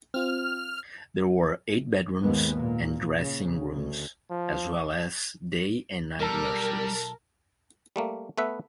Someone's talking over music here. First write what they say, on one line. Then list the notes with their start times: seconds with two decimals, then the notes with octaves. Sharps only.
There were eight bedrooms and dressing rooms as well as day and night nurseries.
0.14 C4 F4 F6
2.21 D#2 G#2 G#3 A#3 B3
2.56 A#2 A#3
3.16 C#3
3.74 D2
4.31 F3
6.19 B1 G3 A4 A#4
7.96 G3 A3 A#3
8.38 A3 B3 B4 E5